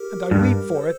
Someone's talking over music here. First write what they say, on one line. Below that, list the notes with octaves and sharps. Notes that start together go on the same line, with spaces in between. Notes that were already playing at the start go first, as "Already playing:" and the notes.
And I weep for it!
Already playing: G4 A#4
G2 G4 A#4
A4 C5